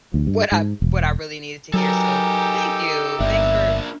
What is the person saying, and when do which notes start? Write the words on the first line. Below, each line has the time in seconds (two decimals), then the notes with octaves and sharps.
w what I what I really needed to hear. So, thank you. Thanks for
0.14 D2
0.27 G2
0.52 G#2
0.82 E1
1.73 F#3 D#4 G4 A4 A#4 G#5
3.20 G1 A#3 D4 E5